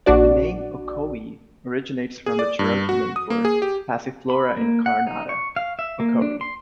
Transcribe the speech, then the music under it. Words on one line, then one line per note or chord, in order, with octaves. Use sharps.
The name Ocoee originates from the Cherokee name for Passiflora incarnata, ocoee.
A#1 D4 F#4 D5
G#4
D5
G2
F#4
D#6
A#3
G#4
G4
B5
A#3
F#5
D#4
C#6
F5
E5
A#3
D4
C6